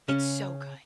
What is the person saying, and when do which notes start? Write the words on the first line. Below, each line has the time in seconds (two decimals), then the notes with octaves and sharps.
it's so good.
0.08 C#3 C#4